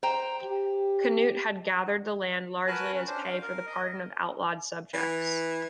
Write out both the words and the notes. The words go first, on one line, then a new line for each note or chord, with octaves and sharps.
Canute had gathered the land largely as pay for the pardon of outlawed subjects.
C5 G5 A#5
G4
F#4 A#4 B4 G#5 A5 F#6
C#4
C#4 D4 C5
F5
A#4
D#5
E3